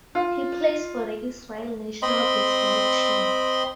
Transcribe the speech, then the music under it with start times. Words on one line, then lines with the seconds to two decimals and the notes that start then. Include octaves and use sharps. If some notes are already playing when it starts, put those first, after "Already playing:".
He plays for the Israel National Baseball Team.
0.15 F4
2.02 C4 D#5 B5 C6